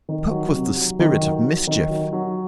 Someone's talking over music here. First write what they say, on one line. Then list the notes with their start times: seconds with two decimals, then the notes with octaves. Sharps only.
Puck was the spirit of mischief.
0.09 D#3
0.31 F#3
0.54 C3
0.77 F#3
0.99 D#3
1.22 F#3
1.44 F#3
1.67 D#3
1.90 F#3
2.13 F#3